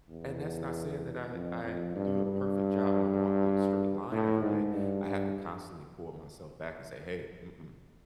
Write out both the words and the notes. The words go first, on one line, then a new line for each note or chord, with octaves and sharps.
and that's not saying that I I do a perfect job, and I walk the straight line every day, I have to constantly pull myself back, and say, "Hey, mm-mm,
E2
F2
F2
G2
G2
A2
G#2
G2
G2